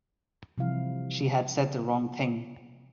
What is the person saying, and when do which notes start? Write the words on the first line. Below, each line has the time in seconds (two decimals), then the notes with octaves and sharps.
She had said the wrong thing.
0.58 C3 E3 F3 G3 E4 F5